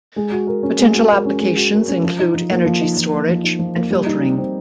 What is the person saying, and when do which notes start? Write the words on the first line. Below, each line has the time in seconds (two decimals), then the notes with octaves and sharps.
Potential applications include energy storage and filtering.
0.16 G#3
0.32 F#4
0.47 A#4
0.63 C#4
0.79 G#3
0.94 F#4
1.10 A#4
1.26 C#4
1.41 G#3
1.56 F#4
1.72 A#4
1.88 C#4
2.03 F3
2.19 D#4
2.35 F3
2.50 A#3
2.66 F3
2.82 D#4
2.97 F3
3.13 A#3
3.29 F3
3.44 D#4
3.59 F3
3.75 A#3
3.91 G3
4.06 D#4
4.23 G4
4.38 C4